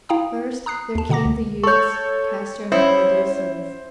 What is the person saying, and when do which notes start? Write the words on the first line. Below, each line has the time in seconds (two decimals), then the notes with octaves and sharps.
First there came the youths Castor and Polydeuces.
0.09 E4 F5 G5 A#5 D#6
0.66 A#5 D#6 F#6 C7
0.95 D#2 A5
1.09 B2 D3 F#5 A#5 D6 A#6
1.25 C#2
1.64 A4 C#5 C#6 G6
2.72 C#4 E4 C5 C#5 E5 C#7